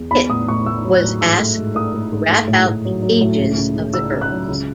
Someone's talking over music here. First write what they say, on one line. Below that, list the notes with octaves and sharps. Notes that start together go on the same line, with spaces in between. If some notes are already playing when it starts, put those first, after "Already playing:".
"It" was asked to rap out the ages of the girls.
Already playing: E2
B3 B5
A2 D#6
A2 C#6
A2 E6
F#3
F#6
A2
G#2 E6
A3
G#2
A3 D#6
A3
G#2
A3
A2
A2
F#3
F#3
A2
C#2
C#2
C#3
C#3 E6
C#3
F#6
F#3
C#2